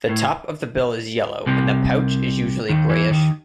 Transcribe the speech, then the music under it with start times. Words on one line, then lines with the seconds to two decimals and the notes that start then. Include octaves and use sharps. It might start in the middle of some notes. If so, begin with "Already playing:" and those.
The top of the bill is yellow and the pouch is usually greyish.
0.09 A2
1.46 C2 C3
2.69 D#2 D#3
2.90 E2 E3
3.10 D#2 D#3